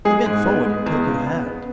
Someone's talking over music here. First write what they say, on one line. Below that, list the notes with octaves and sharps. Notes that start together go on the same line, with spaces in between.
He bent forward and took her hand.
G#3 G#4
G#2
B3
G#3
E2
C#3
B3
B3